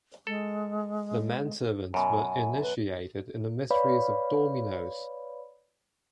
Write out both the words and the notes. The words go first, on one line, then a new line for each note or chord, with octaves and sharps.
The men-servants were initiated in the mysteries of dominoes.
G#3 A4
F#2 B2 G#5
B4
B4 C#5 D5 F5 B5